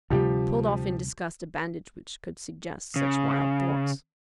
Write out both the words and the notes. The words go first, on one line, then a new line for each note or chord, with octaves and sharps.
She pulled off in disgust a bandage which could suggest such wild thoughts.
D2 C3 F3 G3 G4
C#3